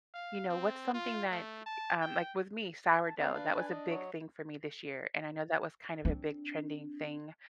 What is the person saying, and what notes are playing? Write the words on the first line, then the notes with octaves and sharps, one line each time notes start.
you know, what's something that, e eh, um, like, with me, sourdough, that was a big thing for me this year. And I know that was kind of a big trending thing,
F5
C4
F4
A3
A5
G5
A5
C4 A#4 B4 D5 F5
D4 B4
G#5
D#5
F#3 C#5
C4 D4